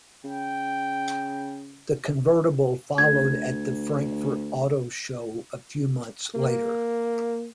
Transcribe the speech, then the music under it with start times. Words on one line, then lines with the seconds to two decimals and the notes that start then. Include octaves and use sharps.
The convertible followed at the Frankfurt Auto Show a few months later.
0.24 C#3 G5
2.98 D2 G#6
6.34 A#3